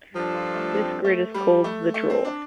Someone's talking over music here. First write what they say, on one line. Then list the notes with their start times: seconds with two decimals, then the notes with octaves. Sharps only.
This grid is called the "Draw".
0.14 G2 F3 D4 A4
0.34 F4
0.54 A3
0.74 C4
1.05 A3
1.34 G3
1.64 A3
1.94 A3
2.10 C4
2.25 D4